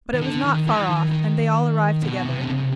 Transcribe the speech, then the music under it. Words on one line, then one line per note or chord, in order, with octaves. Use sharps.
But it was not far off and they all arrived together.
D#3
D3
D#3
E3
D#3
D#3
B2
C3
D3
C#3
C3